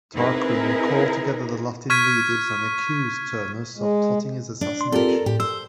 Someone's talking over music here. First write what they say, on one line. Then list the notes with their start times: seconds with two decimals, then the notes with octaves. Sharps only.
Tarquin called together the Latin leaders, and accused Turnus of plotting his assassination.
0.14 C4 D#4 E4 G#4 A#4 B4
1.90 C#6 F6 G#6 B6 D#7
3.77 G#3
4.61 D4
4.81 C6
4.92 C4 F4 G4 A4 A#4
5.26 A2 G4
5.40 C5 E6